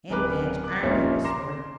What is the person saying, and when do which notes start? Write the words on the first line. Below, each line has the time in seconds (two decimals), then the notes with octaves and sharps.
"Aunt Madge ironed it this morning."
0.10 D1 C3 A#4 B4 D6 F#6
0.64 D6 F#6
0.83 F1 A#1 A#2 A#3 C#4 E5
1.24 A#5 C6 D6 A#6 E7